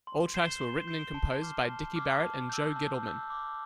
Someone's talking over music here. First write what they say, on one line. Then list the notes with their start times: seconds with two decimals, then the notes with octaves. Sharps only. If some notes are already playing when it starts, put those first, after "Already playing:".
All tracks were written and composed by Dicky Barrett and Joe Gittleman.
0.07 C6
0.34 G6 C7 E7 G7
0.61 C6
0.88 G6 C7 E7 G7
1.14 A5
1.42 D6 F6 C7
1.69 A5
1.96 D6 F6 C7
2.23 A5
2.50 E6 G6
2.76 A5
3.03 E6 G6
3.30 D6